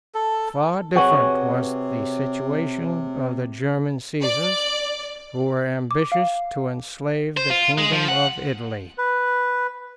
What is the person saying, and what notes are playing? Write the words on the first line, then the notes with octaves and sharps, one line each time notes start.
Far different was the situation of the German Caesars, who were ambitious to enslave the kingdom of Italy.
A4
C3 F#4 G#4 B4 C#5 F#5 G#5
D5
D6
F5
C5
F4
G#3
F3
F#5
B4